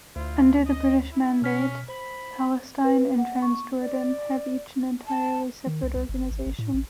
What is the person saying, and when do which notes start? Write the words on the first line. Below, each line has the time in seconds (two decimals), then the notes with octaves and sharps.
Under the British mandate, Palestine and Transjordan have each an entirely separate organisation.
0.16 D2 E4 F4 C5
0.65 D#5
1.11 E4
1.42 B2 C#4 F6 B6
1.88 C5 B5
2.84 B4
3.18 F#5
3.42 C#6
3.82 D5
5.07 A5
5.67 D#3
5.83 C2
5.96 C2
6.09 G1
6.31 G#1
6.46 G#1
6.59 A2
6.74 A1